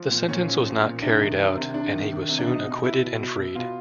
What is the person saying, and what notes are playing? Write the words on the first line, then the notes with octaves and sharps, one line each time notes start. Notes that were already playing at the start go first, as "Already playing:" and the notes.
The sentence was not carried out, and he was soon acquitted and freed.
Already playing: F3
A#2
A#2 C#4
F3
F3
A#2
C3 D4
D#3
D#3
C3
C3 D4
D#3
D#3
C3
D4
B2 D#4
B2
B2 E4
B2
B2
B2
B2 F4